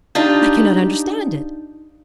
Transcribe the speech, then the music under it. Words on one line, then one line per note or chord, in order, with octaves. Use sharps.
I cannot understand it.
D4 D#4 F4 G4